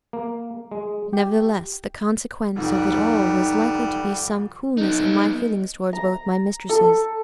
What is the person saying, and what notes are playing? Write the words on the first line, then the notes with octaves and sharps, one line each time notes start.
Nevertheless, the consequence of it all was likely to be some coolness in my feelings towards both my mistresses.
A#3
G#3
G4
C2 F2 G3 A3 B3 D#4
B3 D#4
A#5
A4